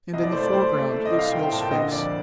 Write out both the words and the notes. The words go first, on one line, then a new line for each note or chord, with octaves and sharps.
And in the foreground Lucille's face.
C2 D#5
D5
A3 C5
D5
A3 C5
A3
A3
D#5
C2
F5
C2 G5
G5
A#2 A5
G5
D3 D#5
F2 D5